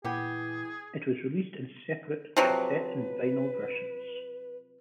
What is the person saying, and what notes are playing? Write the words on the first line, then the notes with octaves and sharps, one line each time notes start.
It was released in separate cassette and vinyl versions.
A#2 E3 B3 G4 G#4
C3 F3 F#3 B4